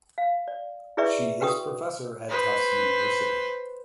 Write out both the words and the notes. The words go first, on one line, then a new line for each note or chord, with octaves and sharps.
She is professor at Tufts University.
F5
D5
E4 G#4 B4 D5 E5 C#6
F#4 B4 G5 C#6 D#6
B4 C5